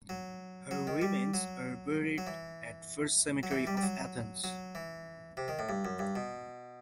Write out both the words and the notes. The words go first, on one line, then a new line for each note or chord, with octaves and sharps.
Her remains are buried at First Cemetery of Athens.
F#3
F#3
D#3
G3
F#3
F#3
E3
F#3
E3
G3
G3
F#3
F#3
E3
C3
D#3
A2
G2
F#2
G2
B2